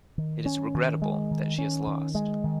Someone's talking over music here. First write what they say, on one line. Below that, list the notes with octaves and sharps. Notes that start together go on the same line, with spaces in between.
It is regrettable that she has lost.
D#3
C#4
D#3
G#3
D#3
C#4
D#3
G#3
D#3